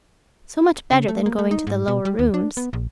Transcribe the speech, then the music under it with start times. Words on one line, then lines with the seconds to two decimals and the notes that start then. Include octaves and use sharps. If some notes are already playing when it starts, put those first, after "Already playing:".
So much better than going to the Lower Rooms.
0.92 C#3
1.08 A3
1.26 A#3
1.39 A3
1.51 D#4
1.67 G#2
1.88 B2
2.05 G3
2.19 D#2
2.34 D4
2.57 B3
2.73 A#1